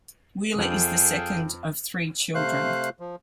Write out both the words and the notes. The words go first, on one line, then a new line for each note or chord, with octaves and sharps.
Wheeler is the second of three children.
F2 G#4 A4 F5 G5
C3 A3 C5 F5 F#6
F3